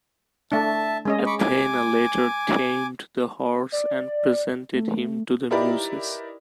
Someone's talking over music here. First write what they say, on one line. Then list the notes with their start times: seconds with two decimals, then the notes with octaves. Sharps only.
Athena later tamed the horse and presented him to the muses.
0.52 A3 D4 E5 A5
1.05 G#3 C#4 D#5
1.26 B5 C#6 D6
1.39 G#5 D6
3.72 D5
4.75 A3
5.50 D#4 E4 G4 A#4 B4 D5